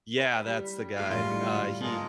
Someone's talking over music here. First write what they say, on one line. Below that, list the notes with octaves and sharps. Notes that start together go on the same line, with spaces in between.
yeah, that's the guy. Uh, he
B4
G3
A#1 G#3 F#4 F5
A2 G3 F4
D3 C#7
G1 G#2 G#3 A#3 F4 A5